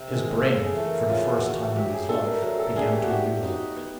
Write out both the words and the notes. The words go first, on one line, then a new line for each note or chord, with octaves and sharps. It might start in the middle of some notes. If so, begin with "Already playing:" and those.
His brain, for the first time in his life, began to reel.
Already playing: C3
D#3 G#3
C#3 A4
G#4
E3 A3
A#4
C#3 F4
F#4
E3 A3
F#4
F#3 G4
G#4
A3 D4 A4
A#4
F#3 A#4
A4
A3 D4 G#4
G4
F#4
B3 G4
D#4 F#4
B3